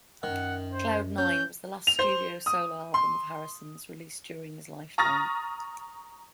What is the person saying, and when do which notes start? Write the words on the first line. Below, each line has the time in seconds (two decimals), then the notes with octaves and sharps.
"Cloud Nine" was the last studio solo album of Harrison's released during his lifetime.
0.23 F#2 D#3 F#5
0.72 C5
1.18 C#4 G6
1.87 F7
1.99 C5
2.46 D#6
2.94 C6
4.98 A#5 C#6 D#6 F6 A6 A#6